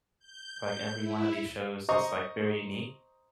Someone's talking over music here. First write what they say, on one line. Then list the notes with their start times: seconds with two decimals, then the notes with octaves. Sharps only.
to, like, every one of these shows is, like, very unique.
0.19 G6
0.56 G6
0.96 E4
1.89 C5 D#5 A#5 C#6